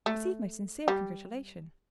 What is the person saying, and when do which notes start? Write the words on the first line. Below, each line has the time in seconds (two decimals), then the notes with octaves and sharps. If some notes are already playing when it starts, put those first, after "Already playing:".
"Receive my sincere congratulation."
0.06 A3
0.88 G3